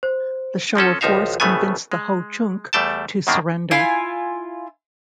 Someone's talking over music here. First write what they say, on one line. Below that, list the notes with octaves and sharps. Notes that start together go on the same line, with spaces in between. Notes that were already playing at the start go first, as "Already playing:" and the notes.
The show of force convinced the Ho-Chunk to surrender.
C5
F3 C4 C#4 A4
G#1 C#2 F3 D#4 E5 F5
G#1 A2 C#3 A3 B3 G#5
G#3
E2 G3 A3 G5 A5
F#2 B2 D#3 A#3 D4
E4 F4 G#5